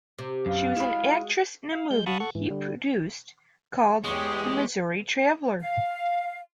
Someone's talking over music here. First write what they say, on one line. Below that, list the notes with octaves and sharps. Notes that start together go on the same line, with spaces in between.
She was an actress in a movie he produced, called "The Missouri Traveler".
C3
F#2 F5
G#3 E4 F#4 B5
F5
G#3 G6
F5 F#5 A5 B5 C#6 D#6
A4 F#5 C#6
G#2 E3
D3 G3
E2 G#3 G4 C#5 D#6
F5